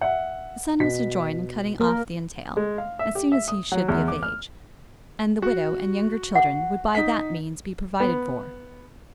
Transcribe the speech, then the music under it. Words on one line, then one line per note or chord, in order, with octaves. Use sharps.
The son was to join in cutting off the entail, as soon as he should be of age, and the widow and younger children would by that means be provided for.
E5 F#5
B2 B6
A#3 A#4
G#3
F5
E5
G4
E5
D#6
F#3
E2
D6
F6
F#4
F#5
D#4 B6
B3